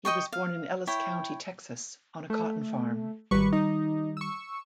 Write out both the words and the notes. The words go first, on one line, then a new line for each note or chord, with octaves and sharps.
He was born in Ellis County, Texas on a cotton farm.
D#5 G5 C#6
F5
E4 C#5 G5
A3
G#1 D#3 G3 B4 C#6
D#4
C#6 E6